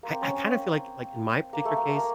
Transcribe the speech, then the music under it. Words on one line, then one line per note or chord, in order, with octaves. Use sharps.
I I kind of feel like like, in my particular case,
A#3
C4
C#4
C#4
C4
A#3
A3
A#3
A3
A#3